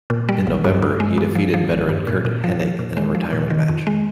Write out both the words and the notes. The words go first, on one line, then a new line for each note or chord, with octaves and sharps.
In November, he defeated veteran Curt Hennig in a retirement match.
A#2
G3
A#1
G2
G2
G#3
G2
F3
F3
G#1
G2
A#2
A#2
F3
F3
A#2
G#3
F3
A#2
D#3
F2
G#3